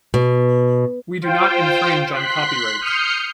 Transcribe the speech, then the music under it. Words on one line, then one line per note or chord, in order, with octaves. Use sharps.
We do not infringe on copyrights.
B2
F4 C5 G5
C6 F#6 B6
D#6 F6 G6 C7 C#7